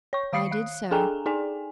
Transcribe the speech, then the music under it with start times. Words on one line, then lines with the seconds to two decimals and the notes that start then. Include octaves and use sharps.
I did so.
0.13 C#5 C#6
0.33 D#3 F5 D#6 C7 C#7
0.51 F5 F#6
0.91 D4 G#4 A4 G5 G#5 A#5
1.26 D#4 G#4 D5 G5 G#5